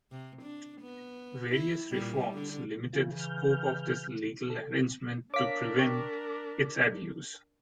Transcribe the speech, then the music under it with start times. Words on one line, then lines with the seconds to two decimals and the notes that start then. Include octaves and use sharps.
Various reforms limited the scope of this legal arrangement to prevent its abuse.
0.11 C3
0.42 D4
0.81 B3
1.52 E4
1.91 A#2 G3
2.33 D3
2.93 C#3 E3 F4
3.19 F6 G6
4.50 A4
5.34 D4 A#4 C#5 F5 D6 B6
5.79 G5 C#6